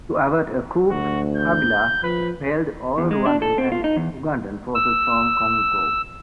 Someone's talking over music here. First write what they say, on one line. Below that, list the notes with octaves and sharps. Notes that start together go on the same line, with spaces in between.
To avert a coup, Kabila expelled all Rwandan and Ugandan forces from the Congo.
D2 F#4
G6
F3 B4
E2
G#3
D4
A4
C4
F4
D#4
E2
E6